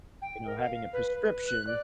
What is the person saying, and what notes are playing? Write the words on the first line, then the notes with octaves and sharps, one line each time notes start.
you know, having a prescription,
G5
A#4
F5
B4
B4
F#6
D5